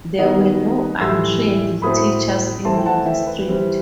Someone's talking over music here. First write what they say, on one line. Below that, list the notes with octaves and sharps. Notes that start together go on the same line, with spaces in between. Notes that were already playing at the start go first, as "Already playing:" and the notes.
There were no untrained teachers in the district.
D#3 G3 B3 D#5 F#5
A2 E3 G3 C6 E6
A2 F#3 A3 C4 B5 D#6
E3 A3 C4 A5 C6
G5
F#5 A5
E5 G5
B4
E3 G3 C4